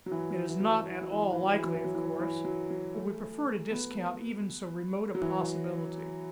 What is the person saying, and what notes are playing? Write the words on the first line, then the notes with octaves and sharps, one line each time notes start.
It is not at all likely, of course; but we prefer to discount even so remote a possibility.
F#3
E3
F#3
E3
F#3
E3
F#3
E3
F#3
E3
F#3
E3
F#3
E3
F#3
E3
F#3
E3
E3
F#3
F#3
A3
B3
F#3
E3